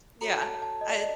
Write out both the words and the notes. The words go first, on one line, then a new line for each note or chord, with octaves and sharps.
Yeah. I'd
F#4 A4 C#5 A#5
A5
A5
D#5
D5
D#5